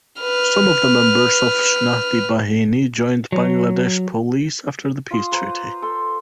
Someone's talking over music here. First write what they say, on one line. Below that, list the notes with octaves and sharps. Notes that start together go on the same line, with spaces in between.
Some of the members of Shnati Bahini joined Bangladesh Police after the peace treaty.
B4 F6
F#3
F4 C6 D#6
B4 C5 A#5
A4 C6